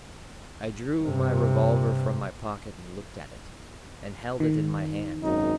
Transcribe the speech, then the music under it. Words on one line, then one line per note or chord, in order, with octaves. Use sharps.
I drew my revolver from my pocket and looked at it, and held it in my hand.
G2 C3
D#3
G#1 F#2 D#4